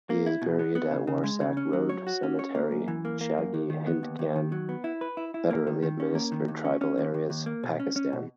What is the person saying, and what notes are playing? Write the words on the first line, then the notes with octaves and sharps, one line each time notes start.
He is buried at Warsak Road Cemetery, Shagi Hindkyan, Federally Administered Tribal Areas, Pakistan.
A#3
E4
B2
B3
B3
C#3
C#3
G#3
C#3
C#4
F#3
C#5
F#4
C#4
C#5
A#3
F#2
E3
A#3
A#3
F#2
D#2
D#3
B3
D#2
D#2
D#3
F#3
B3
E4
B4
E4
E4
A#3
D#3
D#3
C#4
A#3
D#3
D#2
C#4
C#4
D#2
D#2
D#2
A#3
B2
C#4
C#4
B2